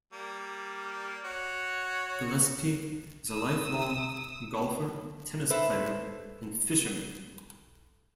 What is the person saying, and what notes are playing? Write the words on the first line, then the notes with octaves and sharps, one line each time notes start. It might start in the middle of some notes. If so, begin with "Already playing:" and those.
Gillespie is a lifelong golfer, tennis player, and fisherman.
G3 A#3
F#4 C#5
D#6 E6
A4 B4 C5 E5